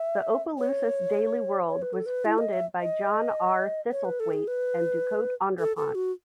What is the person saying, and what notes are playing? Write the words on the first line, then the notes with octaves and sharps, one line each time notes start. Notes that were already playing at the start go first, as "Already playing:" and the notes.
The Opelousas Daily World was founded by John R. Thistlethwaite and Ducote Andrepont.
Already playing: E5
C#5
C#5
B4
A4
B4
E4
D#5
E5
D#5
C#5
B4
A4
G#4
B4
A4
A4
F#4